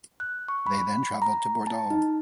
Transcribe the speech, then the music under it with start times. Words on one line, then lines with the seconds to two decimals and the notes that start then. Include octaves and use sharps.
They then travelled to Bordeaux.
0.20 F#6
0.48 C#6
0.66 B5
1.22 A#5
1.67 A5
1.90 D#4